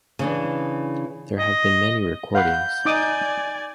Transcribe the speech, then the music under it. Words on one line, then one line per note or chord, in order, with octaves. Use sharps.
There have been many recordings.
C#3 E3 D4
D#5
F5 F#5 B5 G6
D#4 D5 G#5 D6 D#6